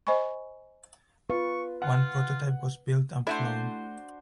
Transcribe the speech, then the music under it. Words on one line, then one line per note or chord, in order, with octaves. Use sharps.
One prototype was built and flown.
C5 D#5 G#5 B5 C#6
F4 B4 C#6
F4 F#5
A3 D4 E4 F#4 C5 E5